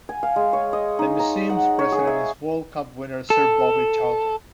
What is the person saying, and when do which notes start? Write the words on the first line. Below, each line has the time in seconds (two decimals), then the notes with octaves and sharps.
The museum's president is World Cup winner Sir Bobby Charlton.
0.09 G#5
0.23 F5
0.36 G#3
0.53 C#5
0.73 D#5
0.99 D#4
1.19 A#5
1.50 F#5
1.79 C#5
1.92 G#4
2.07 E5
3.30 A4